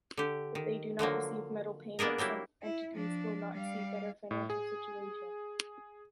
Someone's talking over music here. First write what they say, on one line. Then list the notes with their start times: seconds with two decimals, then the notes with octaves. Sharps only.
If they do not receive metal payments, some entities will not see a better financial situation.
0.17 D3 G4
0.55 D#3
0.99 D3 F3 F#3 A#3
1.99 A#3 B3 D4 G#4 A#4
2.18 F#3 G3 A#3 E4
2.62 E4
2.92 F3 D4
3.52 G3 F5
4.31 A2
4.50 G#4